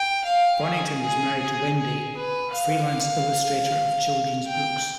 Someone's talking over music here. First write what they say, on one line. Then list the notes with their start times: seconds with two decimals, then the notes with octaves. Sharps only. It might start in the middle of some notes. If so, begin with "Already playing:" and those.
Bonington was married to Wendy, a freelance illustrator of children's books.
Already playing: G5
0.24 F5
0.63 G#4
1.02 G#4
1.40 G#4
1.79 G#4
2.17 B4
2.56 F5
4.47 G5